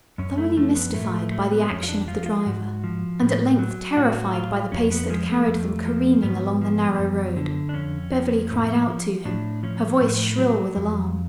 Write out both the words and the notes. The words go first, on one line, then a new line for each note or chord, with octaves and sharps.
Thoroughly mystified by the action of the driver and at length terrified by the pace that carried them careening along the narrow road, Beverly cried out to him, her voice shrill with alarm.
F#2 C#4
A3
F3 A3
B3
A2 A3
A3
F#3 A3
B3
F2 C#4
F4
D4
F3 F4
F4
G#4
G#2 F#4
F3
A2
F#3
A2 F#4
F#3 F4
F2 C#4
B3
F3 G#3
A3
F2
F3
G#2 B3
F3
F#2
D3
D4
F2 C#4
F3
A2
F3
A2 D4
F3 C#4
A2
F#3
F2